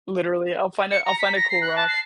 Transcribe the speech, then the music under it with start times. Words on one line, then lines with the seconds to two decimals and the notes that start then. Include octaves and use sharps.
Literally, I'll find a I'll find a cool rock.
0.92 C#7
1.05 A#5
1.19 B6
1.35 A#6
1.50 C7
1.62 F#6
1.76 A5
1.88 C7